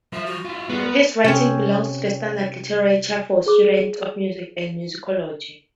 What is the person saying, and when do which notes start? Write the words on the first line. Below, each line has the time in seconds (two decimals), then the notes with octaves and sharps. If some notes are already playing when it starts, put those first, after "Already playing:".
His writings belong to the standard literature for students of music and musicology.
0.13 F3 E5
0.26 F#4
0.45 E4 F4
0.70 G3 G#3 B3
0.83 A#4 B4
1.25 C3 C4 C#4
3.46 G#4 D6